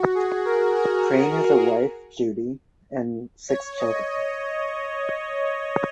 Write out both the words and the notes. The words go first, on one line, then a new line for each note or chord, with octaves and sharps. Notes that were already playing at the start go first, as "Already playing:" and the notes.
Crane has a wife, Judy, and six children.
Already playing: F#4
G#4
A#4
A#4
C#5
D#5
D#5